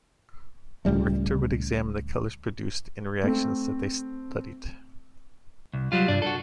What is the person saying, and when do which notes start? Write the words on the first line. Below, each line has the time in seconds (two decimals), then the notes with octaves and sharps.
Richter would examine the colors produced in reactions that they studied.
0.85 C#2 A2 G3 A3
3.23 A3 C4
5.73 C2
5.92 F#3 G3 F4
6.08 C2 G2 D4 D5
6.22 F#4 A4